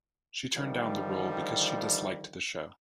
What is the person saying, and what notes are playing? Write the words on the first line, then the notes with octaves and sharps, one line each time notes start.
She turned down the role because she disliked the show.
D3 D#3 F3 G3